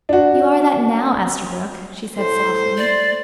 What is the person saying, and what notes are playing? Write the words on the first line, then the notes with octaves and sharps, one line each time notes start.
"You are that now, Esterbrook," she said softly.
D4 F#4
A2 C5
D5